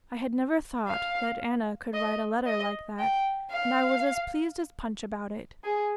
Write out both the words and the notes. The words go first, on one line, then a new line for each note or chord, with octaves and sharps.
I had never thought that Anna could write a letter like that, and I was as pleased as Punch about it.
F5
D#5
D#5
G5
F5
G#4